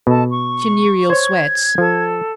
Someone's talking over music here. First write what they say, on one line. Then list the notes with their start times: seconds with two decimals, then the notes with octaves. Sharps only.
Funereal sweats.
0.07 B2 A4 D#5 A5
0.31 C#6
1.10 C5 C#5 G#6
1.78 F3 A4